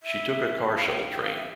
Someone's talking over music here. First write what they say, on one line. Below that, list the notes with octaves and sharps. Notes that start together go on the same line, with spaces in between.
She took a car shuttle train.
E5
F5
G5
F5
G5
F5
E5